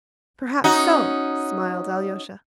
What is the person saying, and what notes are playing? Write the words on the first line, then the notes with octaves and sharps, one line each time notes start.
"Perhaps so," smiled Alyosha.
C#4 D#4 F#4